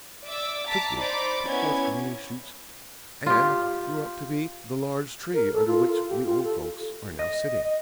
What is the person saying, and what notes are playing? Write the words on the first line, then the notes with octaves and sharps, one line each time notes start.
It took root, put forth green shoots, and grew up to be the large tree under which we old folks are now sitting.'
D5 E5 D6 E6
A5 A#5 D6 A6 B6
D#4 C5 D5 B5 D6
B3 C#4 E4 G#6
F4 G4
A#4
A4
F4
F4
G4
F4
A4
D#5